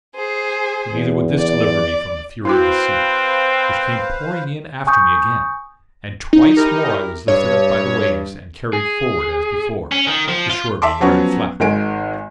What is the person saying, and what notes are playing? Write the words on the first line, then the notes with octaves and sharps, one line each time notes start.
But neither would this deliver me from the fury of the sea, which came pouring in after me again; and twice more I was lifted up by the waves and carried forward as before, the shore being very flat.
G#4 C5
E2
D5
C4 E4 F#4 B4 C5 F5
G#5 C#6 D#6 G6
D#4
E4 G4 A#4
G2 C#5
G#4
C#4
D#3
F3
F4
E5 A5 C6 D6
F3 F#3 B3 C#4
G#1 D#3 G#3 G#5 D7